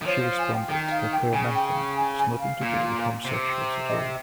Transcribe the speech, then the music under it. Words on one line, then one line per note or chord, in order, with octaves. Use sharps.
She responded that her amendment was nothing to do with homosexuals at all.
D#3
F3 C#5
F5
G#5
G5
D#3 G5
F5
G5
C#3 G#5
G5
G5
G#5
G#5
F5
A#2
C3
D#5